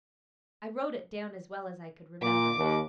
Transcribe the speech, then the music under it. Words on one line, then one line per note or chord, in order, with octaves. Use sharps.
I wrote it down as well as I could remember.
A#2 D6
D#2